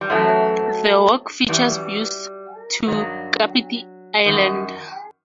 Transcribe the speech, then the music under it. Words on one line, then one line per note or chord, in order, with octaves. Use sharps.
The walk features views to Kapiti Island.
G3
F#2 E3 F#3 A3
F#2 E3 G3
G2 D#3 F#3
F#2 D#3